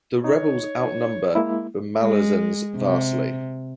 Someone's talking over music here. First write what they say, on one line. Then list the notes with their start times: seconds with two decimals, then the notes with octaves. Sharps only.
The rebels outnumber the Malazans vastly.
0.24 D#4 C#5
1.35 G#3 A#3 E4
2.00 G#3
2.77 C3